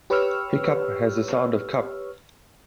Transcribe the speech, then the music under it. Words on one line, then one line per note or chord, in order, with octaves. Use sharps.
Hiccough has the sound of "cup"......
G4 B4 C#5 C#6 E6 F6